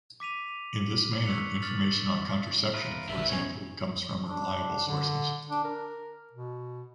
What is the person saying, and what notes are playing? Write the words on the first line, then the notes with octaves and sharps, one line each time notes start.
In this manner, information on contraception, for example, comes from reliable sources.
D6 B6 D#7 F7
C#6 E6 F#6 B6 C#7 F7
F6 A6 F#7
F4 A#4 B4 E5
A#1 E2 B2 D3 D#3 B4 E5
B3 C#4 C#5 G#5
D4
D3
D4
A#4
B2